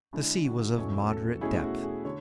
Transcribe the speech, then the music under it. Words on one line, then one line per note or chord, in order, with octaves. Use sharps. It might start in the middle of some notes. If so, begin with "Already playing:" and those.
The sea was of moderate depth.
D3 G#3 D4 E4
F#4
E2 B2 F#3 C#4 E4 A4
A4
B2 A3 C#4 E4 G#4
F#4
G#4
D3 C#5